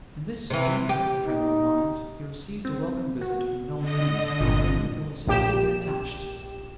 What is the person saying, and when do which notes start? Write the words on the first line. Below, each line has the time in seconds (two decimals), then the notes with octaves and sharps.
In this gentler frame of mind he received a welcome visit from an old friend, to whom he was sincerely attached.
0.50 C3 E3
0.89 G4
1.26 D#4
2.65 C4
3.21 F#4
3.78 D3 D#5
4.40 G1 A#2
5.27 A#1 G4 E7